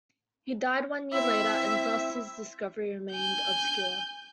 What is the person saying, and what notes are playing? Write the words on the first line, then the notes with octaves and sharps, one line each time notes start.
He died one year later and thus his discovery remained obscure.
C4 E4 E5
G#5 G6